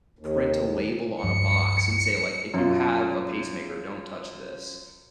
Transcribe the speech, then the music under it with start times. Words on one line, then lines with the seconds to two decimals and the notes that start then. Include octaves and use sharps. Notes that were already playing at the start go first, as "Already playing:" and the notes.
print a label on a box and say, like, "If you have a pacemaker, don't touch this."
0.19 D#2
1.23 C#2 G2 F3 C#7
2.54 F#2 F4